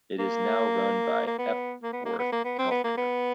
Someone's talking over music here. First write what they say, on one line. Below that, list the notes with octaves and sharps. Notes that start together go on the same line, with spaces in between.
It is now run by Epworth Healthcare.
A#3
A#3
B3
A#3
B3
A#3
B3
A#3
B3
C4
B3
A#3
B3